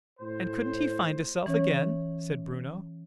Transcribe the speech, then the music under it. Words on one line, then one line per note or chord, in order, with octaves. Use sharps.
"And couldn't he find his-self again?" said Bruno.
A2 C5
E3 C#4 C#5